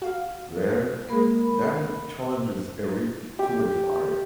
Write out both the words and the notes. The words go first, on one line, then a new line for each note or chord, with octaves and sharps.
Later, Danny challenges Eric to a fight.
F#4 F5
G#3 A#3 A#4 B5
G4